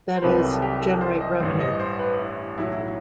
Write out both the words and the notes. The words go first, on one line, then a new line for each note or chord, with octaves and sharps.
That is, generate revenue.
C5
C2 C3 D#3 F#3 B4
A4
G4
A4
C5
D#5
A1 G2 E3 C5
D#5
C5
B4
E4
B1 A2 F#3 E4